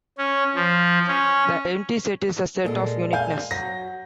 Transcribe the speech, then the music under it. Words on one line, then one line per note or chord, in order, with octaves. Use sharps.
The empty set is a set of uniqueness.
C#4
F3
C#4
A#2 G#3 A4
F5 G#5 G6
F#3 A#6